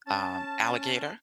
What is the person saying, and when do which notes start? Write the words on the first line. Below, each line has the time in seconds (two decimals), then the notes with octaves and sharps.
um, alligator,
0.07 C#4 A5